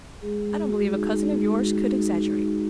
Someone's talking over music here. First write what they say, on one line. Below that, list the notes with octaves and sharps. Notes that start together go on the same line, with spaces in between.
I don't believe a cousin of yours could exaggerate.'
G#3 G#4
G#3
F#4
D#4
G#3
G#3
F#4
D#4